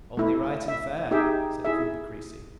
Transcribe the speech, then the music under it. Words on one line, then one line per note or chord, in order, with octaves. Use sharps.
"Only right and fair," said Cooper Creasy.
A3 E4
E5
D#4 G4 G#4 E5 G5
E4 G#4 E5